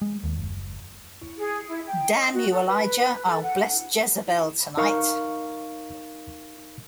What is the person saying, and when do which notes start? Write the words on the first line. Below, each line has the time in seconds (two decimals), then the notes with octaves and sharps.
Damn you, Elijah, I'll bless Jezebel tonight.
0.01 G#3
0.24 D#2
0.38 F#1
1.38 G#4
1.67 E4
1.86 G5
2.14 D#5
2.34 F#4
2.51 A4
2.67 B4
3.26 A4
3.43 F#5
4.77 D#4 A#4 F5 C#6